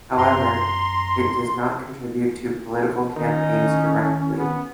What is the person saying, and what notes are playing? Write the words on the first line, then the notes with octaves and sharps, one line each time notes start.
However, it does not contribute to political campaigns directly.
F#2 A#5 C6
D#3 C#4 D#4
B3